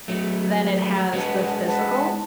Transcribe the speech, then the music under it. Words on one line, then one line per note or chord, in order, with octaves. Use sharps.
Than it has the physical.
F#3 A3 G#4 B4 E5
G#4 B4 E5
G#3 B3 G#4 B4 F#5 A5
G#4 B4 F#5 A5